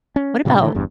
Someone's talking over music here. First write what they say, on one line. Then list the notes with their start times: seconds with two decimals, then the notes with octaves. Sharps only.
what about,
0.16 C#4
0.45 G2 A#2 C#3
0.61 D3 E3 A3
0.74 G1 E2 G2